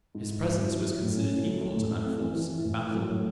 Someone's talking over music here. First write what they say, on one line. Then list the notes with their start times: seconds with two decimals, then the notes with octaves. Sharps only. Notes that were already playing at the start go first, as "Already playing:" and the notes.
His presence was considered equal to that force in battle.
0.15 G#2
0.28 E4
0.43 E4
0.58 F#3
0.73 F#3
0.89 F#3
1.02 A2
1.17 C#4
1.33 A3
1.47 F#3
1.61 A3
1.77 A2
1.92 A3
2.06 C4
2.20 E3
2.36 E3
2.50 E3
2.65 A2
2.80 A2
2.94 F#3
3.10 A2